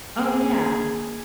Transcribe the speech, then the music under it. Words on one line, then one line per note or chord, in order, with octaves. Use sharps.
Oh, yeah.
A#3 G#4